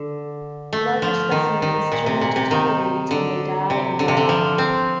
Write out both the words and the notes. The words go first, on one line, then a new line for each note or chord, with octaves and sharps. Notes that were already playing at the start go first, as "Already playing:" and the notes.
Larger specimens turn into tumbleweeds when they die and dry out.
Already playing: D3
A3
F3
D#3
D#3
A#2
C3
A#2
C3
D#3
D3
C3
D3
C3
D3
F3
C4